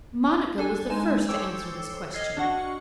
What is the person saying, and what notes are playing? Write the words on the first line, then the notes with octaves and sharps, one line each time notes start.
Monica was the first to answer this question.
D4 A4 G#5
G#3 D#4 G#5 E7
A4 C5 C#5 G5 D6 E6
D#5 F6 G#6 C7
D4 F#4 F#5 C#6